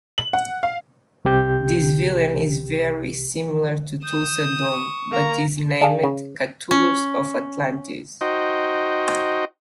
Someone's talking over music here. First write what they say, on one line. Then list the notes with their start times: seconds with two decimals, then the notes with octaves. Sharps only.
This villain is very similar to Thulsa Doom, but is named "Kathulos of Atlantis".
0.18 F#7
0.33 F#5
0.63 F5
1.25 C2 C3 G4 G6
4.04 D#6 G6 E7
4.71 C#6
5.11 A#3 A#5
5.81 D4 G#4 F5
6.03 C#3
6.71 C#4
8.21 D#4 F#4 C5 D#5 G5